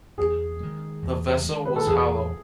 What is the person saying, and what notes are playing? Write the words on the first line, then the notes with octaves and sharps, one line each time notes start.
The vessel was hollow.
E2 G#4
D#3 G#3
E2
D#3 G#3
B4
A4
E2 G#4